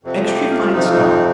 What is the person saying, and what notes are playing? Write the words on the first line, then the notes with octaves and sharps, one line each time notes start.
Extry fine stock.
F2 C3 F3 C4
G4
F4
F2 C3 F3 C4 D#4
F4
D#4
D#4